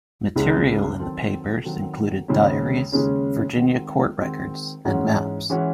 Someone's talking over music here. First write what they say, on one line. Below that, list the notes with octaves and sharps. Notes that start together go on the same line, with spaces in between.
Material in the papers included diaries, Virginia court records, and maps.
C#2 C#3 G#3
D#3 F#3 C4 F#4 A4
D#3 F#3 C4 F#4 A4
D#2 C#3 G#3 C#4
D#2 C#3 G#3 C#4
D#3 G#3 C4 F#4
D#3 G#3 C4 F#4
G#2 E3 G#3 C#4 F#4
E3 G#3 C#4 F#4